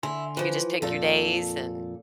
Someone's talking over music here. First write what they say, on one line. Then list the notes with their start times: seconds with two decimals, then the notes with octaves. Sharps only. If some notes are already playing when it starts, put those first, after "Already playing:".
you could just pick your days and
0.03 D3 E4 G#5 C6
0.37 E3 F3
0.82 F2 A#2 F3 A4